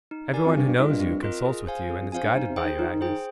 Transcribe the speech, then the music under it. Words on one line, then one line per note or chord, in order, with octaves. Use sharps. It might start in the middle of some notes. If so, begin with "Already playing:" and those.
Everyone who knows you, consults with you, and is guided by you, Agnes.'
D#4
G4 A#4 D5 G#5
F2
G2 C4
G2
G#2 F4 A#4 D#5
G2
C4
F4 A#4 D#5
G#4
C5 F5 G#5
F2 G#4
F2
F2 C5 F5 G#5
G2
G2 D#4
C3
G#4 C5 G5
D#3
F3 D#4
D#3
F3 G#4 C5 G5
D#3